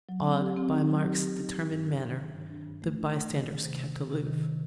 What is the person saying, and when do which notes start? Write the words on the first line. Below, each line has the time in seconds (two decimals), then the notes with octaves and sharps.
Awed by Mark's determined manner, the bystanders kept aloof.
0.09 F#3
0.24 C4
0.40 G4
0.57 C4
0.73 D#4
0.89 F#3
1.05 G4
1.21 G4
1.37 D#4
1.53 G4
1.70 G2
1.86 D4
2.02 D#3
2.17 D#3
2.34 G2
2.50 D4
2.67 G2
2.82 A3
2.98 D4
3.14 A3
3.31 D#3
3.47 D#3
3.63 C3
3.80 C3
3.95 C3
4.12 C3
4.27 D#3
4.43 C3